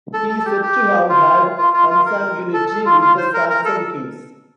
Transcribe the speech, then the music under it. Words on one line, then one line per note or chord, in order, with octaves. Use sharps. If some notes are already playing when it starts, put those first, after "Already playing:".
He is said to have had consanguinity with the Saxon kings.
A4
A4
A4
G4
G4
F4
F4
F4
F4
A#4
A4
A4
F4
F4
C5
A#4
A#4
A4